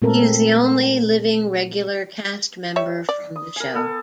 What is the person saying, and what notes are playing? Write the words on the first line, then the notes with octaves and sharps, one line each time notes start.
He is the only living regular cast member from the show.
A#2 G#3 A3 C4 A4 A#4
G3 C#5 E5
D5
D#6
A#4 G#5
B3 A4 G#5